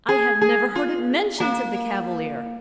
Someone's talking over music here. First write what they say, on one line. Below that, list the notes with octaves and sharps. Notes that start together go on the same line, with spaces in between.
"I have never heard it mentioned," said the Cavalier.
G#4
G#4
F4
A#3